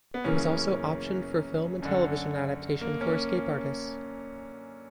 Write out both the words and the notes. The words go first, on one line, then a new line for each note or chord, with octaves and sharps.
It was also optioned for film and television adaptation for Escape Artists.
B3
F#2 C#3 E3 A#3 C#4
F#2 D3
A#3
A#3 C#4